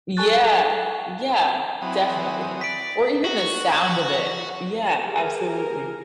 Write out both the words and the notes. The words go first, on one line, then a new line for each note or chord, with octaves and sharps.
Yeah. Yeah. Definitely. Or even the sound of it. Yeah, absolutely.
A4 G#5 A5 C#6 F#6 A6
F#3 C4 E4 G#5 D#6
D5 D6 B6 D7
F#4
G4 G#4 A#4 G#5